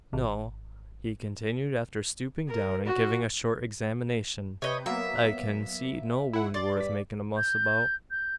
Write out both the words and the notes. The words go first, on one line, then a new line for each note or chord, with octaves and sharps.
No," he continued, after stooping down and giving a short examination, "I kin see no wound worth makin' a muss about.
G#1
A#4
F#4
C3 B4 C#5 D#5 G6
F#3 A#3 B3 E5
E4 F#5
D5 C6 A6
G2 B6
G6
G6